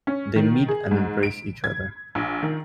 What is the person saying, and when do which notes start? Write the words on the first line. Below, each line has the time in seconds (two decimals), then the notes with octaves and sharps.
They meet and embrace each other.
0.07 C#4
0.36 D#3
0.68 G#4
0.91 G#2
1.23 D7
1.64 G#6
2.15 A#1
2.43 D#3